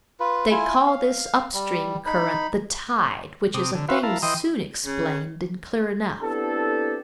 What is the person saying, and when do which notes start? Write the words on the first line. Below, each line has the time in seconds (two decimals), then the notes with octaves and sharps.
They call this up-stream current the tide, which is a thing soon explained, and clear enough.
0.20 F4 B4
0.51 E4 F4 G#5
0.86 F5
1.53 G3
2.06 D#4 B5
3.54 C3 D6 D#6
3.75 D3
3.89 F#4 B4 E5 F5 C6
4.03 E4 A#4 F5 A5
4.23 E3 D#5 G5 C6 D#6
4.84 C#3
6.21 B3 C4 D4 E4 G4 A4